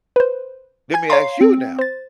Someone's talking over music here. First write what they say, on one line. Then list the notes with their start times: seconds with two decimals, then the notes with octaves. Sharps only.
Let me ask you now.
0.16 B4 C5
0.94 G#5 G#6
1.10 C#5 F5 A#5 C6
1.41 C4
1.79 C5 A6